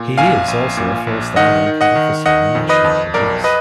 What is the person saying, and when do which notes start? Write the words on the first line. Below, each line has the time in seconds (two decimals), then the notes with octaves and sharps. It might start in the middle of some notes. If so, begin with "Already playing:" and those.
He is also a four-star ranking officer in the National Police.
Already playing: A#2
0.18 A#1 F5 G#5
0.48 A#1
0.77 A#2
1.07 A#1
1.36 D#3 D#5 F#5
1.66 D#3
1.81 D#5 F#5
1.95 D#3
2.26 D#3 D#5 F#5
2.55 F2
2.69 B4 D#5
2.84 F2
3.14 B1 A#4 D5
3.44 B4 D#5